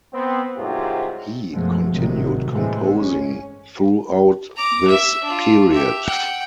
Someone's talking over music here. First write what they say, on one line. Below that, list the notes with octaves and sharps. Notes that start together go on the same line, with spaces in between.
He continued composing throughout this period.
B3 C4
C2 G#2 F#3 F4 G4
F#2 B2 F3 F#3 G#3 A3
G#1 A2 C3 D#3 F#3
G1 A2 E3 G#3 A3 C4
C#4
A#5 D6
E5
D4 F4
G4 E5
F#5 G5